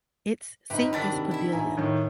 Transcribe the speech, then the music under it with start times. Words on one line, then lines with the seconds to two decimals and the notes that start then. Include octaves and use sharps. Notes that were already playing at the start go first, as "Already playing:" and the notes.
Its seat is Padilla.
0.70 G1 D#4 G4 B4
0.93 G#2 D#3 D4 B5 A6 B6
1.12 C3
1.31 E4 E5
1.52 A#1 G#5 A#5
1.77 A2 D#3